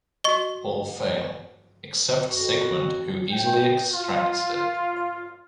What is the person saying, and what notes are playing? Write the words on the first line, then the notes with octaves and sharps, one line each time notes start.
All fail except Sigmund who easily extracts it.
F#4 D#5 C#6 G7
F2 F#4
G5
F4